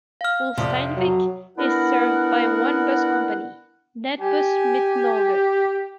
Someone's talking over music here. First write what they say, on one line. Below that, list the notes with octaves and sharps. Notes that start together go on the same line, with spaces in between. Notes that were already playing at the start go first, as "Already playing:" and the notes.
Ulsteinvik is served by one bus company: Nettbuss Midt-Norge.
F5 F6
F2 C3 D5 D#6
F#3
B3 D4 E4 A#4 F#5
G4 G#5